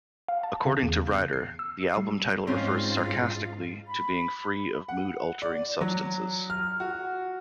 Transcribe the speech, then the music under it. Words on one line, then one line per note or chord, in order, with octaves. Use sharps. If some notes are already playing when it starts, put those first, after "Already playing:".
According to Ryder, the album title refers sarcastically to being free of mood-altering substances.
F5
A5
C#3
E2
G6
C7
E6
C7
G3
G#2 C4 C#4 F4 F5
B5
F#5
D5
F#3
F6
F#4